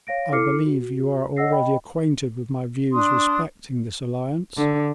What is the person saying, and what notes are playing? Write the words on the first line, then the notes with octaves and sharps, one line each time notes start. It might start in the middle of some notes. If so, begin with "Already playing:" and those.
"I believe you are already acquainted with my views respecting this alliance?"
C#5 F5 A#6 D7
E4 A4 D6 F6 C7 C#7
F#4
C#5 D#5 F#5 E6 A#6 C7
D#5 G5 B5
D4 C6 D#6
D3